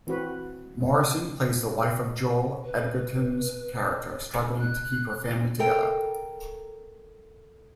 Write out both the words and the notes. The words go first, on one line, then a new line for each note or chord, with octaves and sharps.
Morrison plays the wife of Joel Edgerton's character, struggling to keep her family together.
E3 C4 F#4 B4
B4
F#6
A4 A#4 G5